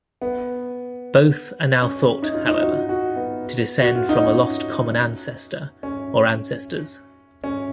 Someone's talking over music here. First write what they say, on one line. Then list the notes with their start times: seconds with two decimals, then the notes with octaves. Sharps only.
Both are now thought, however, to descend from a lost common ancestor or ancestors.
0.22 B3
1.82 C#4
2.22 D#4
2.35 F4
2.47 D#4
2.62 F#4
2.89 F#4
3.16 B3
3.82 F#4
3.95 F4
4.09 D#4
4.23 C#4
5.83 C#4
7.44 C#4